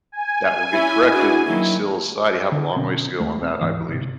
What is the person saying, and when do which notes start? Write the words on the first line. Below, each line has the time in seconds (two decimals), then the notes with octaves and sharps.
that will get corrected. We still society have a long ways to go on that, I believe.
0.12 G#5
0.72 C#4 E4 E5
1.11 D4 F#4 G#4
1.46 D#3 F#3 A#3 E4
2.52 D3
2.76 B2 D3 C4 C#4
3.20 D#2 G#3 A3
3.40 D#1 C4
3.61 D1 G#2 E3
3.88 G1 C3